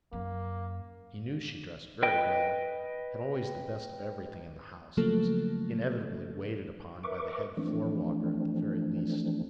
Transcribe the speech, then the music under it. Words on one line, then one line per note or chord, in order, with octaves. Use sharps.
He knew she dressed very well, had always the best of everything in the house, and was inevitably waited upon by the head floor-walker at the very least.
F#2 A#3
B4 D#5 G5
C#3 F3 F#3 A3 A#3 A4
A#4 B4 E5 C#6 D6
E3 F3 A3 C4 D4